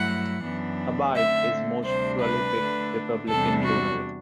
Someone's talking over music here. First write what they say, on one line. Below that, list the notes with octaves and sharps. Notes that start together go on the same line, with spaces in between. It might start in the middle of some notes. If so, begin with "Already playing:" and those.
Hubbard is a most prolific Republican donor.
Already playing: G2 F#3 A3 E4 F#5
F#2 E3 B3 D4
D3 A3 C4 E5
D2 C3 G3 D4 C5
B4
D3 A3 D4
E2 C3 G3 D4 A4
F#4